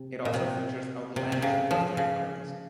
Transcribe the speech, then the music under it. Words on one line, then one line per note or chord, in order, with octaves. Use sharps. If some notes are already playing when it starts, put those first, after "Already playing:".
It also features outlandish birthday parties.
Already playing: C3
A#2
C3
C3
C3
C#3
F3
C#3